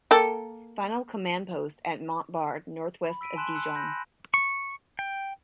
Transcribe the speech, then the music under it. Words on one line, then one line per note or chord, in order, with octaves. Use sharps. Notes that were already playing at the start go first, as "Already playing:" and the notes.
Final command post at Montbard northwest of Dijon.
A#3 A4 G5
B5
E6 B6 D7 D#7
G#5 A5 C6 F#6 E7 F#7
E6 F#6 C#7
B5 G6 A#6
C#6
G5